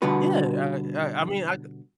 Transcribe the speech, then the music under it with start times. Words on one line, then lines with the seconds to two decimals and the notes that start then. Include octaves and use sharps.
Yeah, I I I mean, I
0.02 B2 D3 G3 B3 F#4 B4